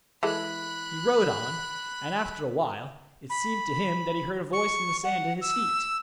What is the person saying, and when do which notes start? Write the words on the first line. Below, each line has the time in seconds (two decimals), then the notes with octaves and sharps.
He rode on, and after a while it seemed to him that he heard a voice in the sand at his feet.
0.23 E3 G#3 A4 B5 F#6
3.30 B5
4.53 C#6
5.04 F#5
5.42 E6